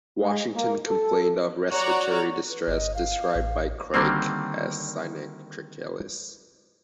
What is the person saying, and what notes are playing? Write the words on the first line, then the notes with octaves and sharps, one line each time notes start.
Washington complained of respiratory distress, described by Craik as "cynanche trachealis".
G#3
A#3
A4
F#4 C#5 D5 A#5
B4
G1 D#5
F5
A1
D3 D#3 G3 A#3 C4